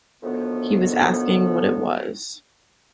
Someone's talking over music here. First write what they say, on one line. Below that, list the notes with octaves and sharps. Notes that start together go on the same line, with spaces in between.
He was asking what it was.
D2 A2 D#3 F3 B3